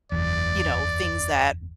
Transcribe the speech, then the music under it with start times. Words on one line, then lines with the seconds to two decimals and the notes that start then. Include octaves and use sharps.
you know, things that
0.12 F#1 E2 D5